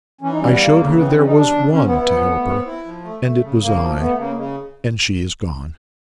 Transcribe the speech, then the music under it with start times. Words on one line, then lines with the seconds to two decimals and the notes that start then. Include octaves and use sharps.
I showed her there was one to help her, and it was I. And she is gone.'
0.21 E3 C#4
0.31 D#4
0.41 G3 C#4
0.50 B3
0.59 E2 A#3
0.78 C#3
0.97 E3 B3
1.06 C4
1.16 G3 C#4
1.26 D#4
1.35 E2 D4
1.54 C#3
1.72 C4 C#4
1.85 B3
1.91 E4
1.98 B3
2.10 F3
2.29 A3
2.48 C4
2.67 E4
2.85 F3
3.04 A3
3.24 A3
3.42 C#3
3.61 C#3 A#3
3.80 F3
3.99 A3 B3
4.17 C#3 A#3
4.36 C#3 G#3